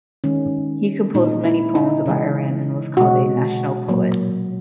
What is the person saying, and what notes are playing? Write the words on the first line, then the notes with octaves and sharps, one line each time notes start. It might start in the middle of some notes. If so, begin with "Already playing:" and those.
He composed many poems about Iran and was called a "national poet".
D#3 G#3 C#4
A#2 G#3 D#4
E4
D#4
C#3 E3 G#3
B2 G#3 F#4
A#2 F#3 A#3